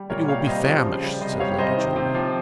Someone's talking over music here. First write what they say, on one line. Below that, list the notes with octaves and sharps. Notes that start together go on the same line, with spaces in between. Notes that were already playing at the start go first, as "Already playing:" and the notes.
"But you will be famished," said Lady Julia.
Already playing: G3
A#2 A#4 C#5
G3 C#5 F5
C3 C5 D#5
F3
C#3
G3
C3 C5 D#5
G3 C#5 F5
C3 C5 D#5
D#3
C3
F3